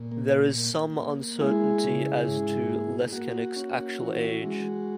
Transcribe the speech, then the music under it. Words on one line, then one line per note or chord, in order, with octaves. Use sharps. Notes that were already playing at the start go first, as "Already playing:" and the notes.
There is some uncertainty as to Leskanic's actual age.
Already playing: A#2
A#3
A#3
A#3
G#3 E4 G#4
C#3
G#2
A#3
A#3 F#4
C#4
E3
G#3